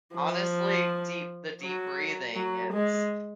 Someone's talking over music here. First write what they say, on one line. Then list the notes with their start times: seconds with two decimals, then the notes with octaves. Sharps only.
honestly deep the deep breathing, it's,
0.16 F3
1.62 F#3
2.36 F#3
2.73 G#3